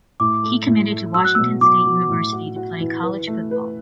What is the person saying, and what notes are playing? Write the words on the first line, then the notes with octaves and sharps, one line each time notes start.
He committed to Washington State University to play college football.
A2 D6
A3
A2
A3
F#3 E6
F#6
E6
B2
F#3 D6
F#3
A2
F#4
F#4
E3
B4
A3
B4